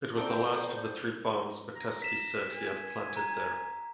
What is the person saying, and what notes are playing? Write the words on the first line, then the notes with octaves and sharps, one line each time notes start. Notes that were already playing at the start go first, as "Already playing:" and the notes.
It was the last of the three bombs Metesky said he had planted there.
C4 A4 C5 D5 G5 A#5
A#5
B6 E7
G#5
A#5